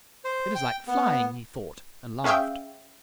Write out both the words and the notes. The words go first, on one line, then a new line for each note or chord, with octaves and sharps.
"It is like flying," he thought and laughed.
C5
G5
B3
C#4 G#4 E5 F5 G5